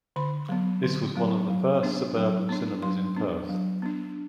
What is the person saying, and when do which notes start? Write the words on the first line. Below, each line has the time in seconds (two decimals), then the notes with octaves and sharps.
This was one of the first suburban cinemas in Perth.
0.16 D3 B5
0.49 F#3 B3
0.83 D3
1.15 F#3 B3
1.49 F#3
1.83 B3 D4
2.16 F#3
2.49 B3 D4
2.82 F#3 C6
3.16 B3 D4
3.49 F#3
3.82 B3 D4